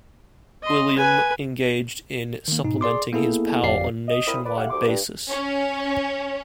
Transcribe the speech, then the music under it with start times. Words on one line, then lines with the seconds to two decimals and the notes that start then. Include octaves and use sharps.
Uilleam engaged in supplementing his power on a nationwide basis.
0.63 D#5 C6
0.97 B4 G#5
2.48 D#3 A#3
2.64 G#2 B2 D#4
2.81 G#4 D5 C6 D6
3.13 A#3 B3 E4 G#4 A4
3.63 G1 F2 G4 D5 F5 C7
4.08 D#5
4.27 A#2 C4 E4 A#4 B5 D#6
4.45 B4 D5
4.58 E4 G4 A4 F5 F#5
4.70 D2 G3 C6 D6
4.86 G2
5.29 C#4